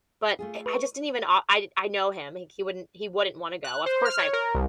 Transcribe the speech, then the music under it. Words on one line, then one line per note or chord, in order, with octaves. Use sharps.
But I I just didn't even o I I know him, he c he wouldn't he wouldn't wanna go. Of course, I
A3 F4 G#4
B4 C#6
F#6
C5
F6
C#5
A#4
C2